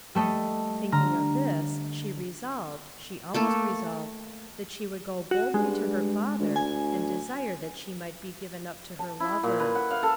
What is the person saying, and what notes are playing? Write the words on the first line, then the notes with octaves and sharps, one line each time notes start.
Thinking of this she resolved--she almost resolved--that she would go boldly to her father and desire that she might be given up to her lover.
G3 A3 A4 D#5
D3 A#5 F6
A3 A#3 A4
F#4
G2 G#3
D2
G#5
A5
E4
A#2
B4
F#5
F5
A4